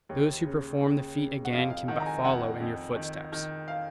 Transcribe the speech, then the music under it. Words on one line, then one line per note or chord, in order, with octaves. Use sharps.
Those who perform the feat again can but follow in your footsteps.
D#2
C#3
C#3
C#3
F#5
F2 F5
F5
D#3 F#5
A#5
G#5
F2 F#5
F2
D#3
D#3
F5